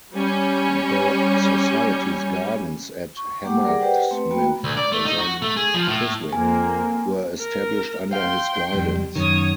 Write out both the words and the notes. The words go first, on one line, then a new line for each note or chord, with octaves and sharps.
The society's gardens at Hammersmith, then Chiswick, were established under his guidance.
G3 C#4
C#6
G3 A#3 G4 F#5 D6
G#4 A#4 D5 F#5
G4 B4 C5 D5 F#5 G5
A3 C4 B4
A3 A#3 F#4 G5 B5
D2
D5
A3
D#4
F#4
A3
G#4
F3
A2
F2 A#3 C4 G#5
A#4
C5 F5 G5 C6
F2 G#2 G3
F#2 D#3 C#5 D#6